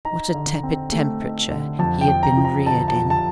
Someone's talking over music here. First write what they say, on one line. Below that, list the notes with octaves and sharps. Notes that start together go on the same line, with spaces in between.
What a tepid temperature he had been reared in!
D#4 A#5
D3
C4
A3
D#4
D3
F2 A5
G5
F2
A#5
F3
A#5
D3 A5
A5
F2
A5